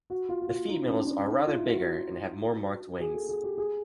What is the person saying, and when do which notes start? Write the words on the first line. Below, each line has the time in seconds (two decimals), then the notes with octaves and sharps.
The females are rather bigger and have more marked wings.
0.10 F#4
0.29 F4
0.41 F#4
0.49 F4
0.68 D#4
0.88 C#4
1.06 D4
1.26 D#4
1.46 F4
1.55 E4
1.69 F#4
3.00 G#4
3.15 A4
3.29 G#4
3.44 G4
3.58 G#4